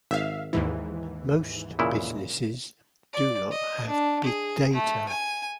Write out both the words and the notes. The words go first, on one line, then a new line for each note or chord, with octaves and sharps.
Most businesses do not have big data.
G#1 E5 F5
D#2 G#2 E3
A#2 C#3 E4
D5
D#5
D4
G#4
A3
G#5